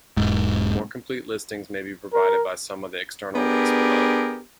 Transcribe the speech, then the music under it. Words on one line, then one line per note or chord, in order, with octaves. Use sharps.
More complete listings may be provided by some of the external links below.
E1 G#2
A#4
B3 D4 G4 G#4 A#4